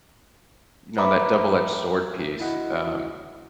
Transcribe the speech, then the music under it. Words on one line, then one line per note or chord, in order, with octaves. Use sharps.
you know, on that double-edged sword piece, um
B4 E5 A#5 B5 D6
E4 F#4 D#5 F#5